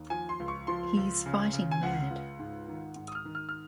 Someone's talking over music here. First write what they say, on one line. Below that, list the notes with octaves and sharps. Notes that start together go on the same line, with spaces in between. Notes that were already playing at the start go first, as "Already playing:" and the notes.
He's fighting mad!
Already playing: D#2
F3 G#5
C6
C#2
C#6
F3 C6
C#2
C#3
C#3
G#5
C#2 F#5
C#2
G#2
D#3
G#2
D#6
F6
D#3
F6
F6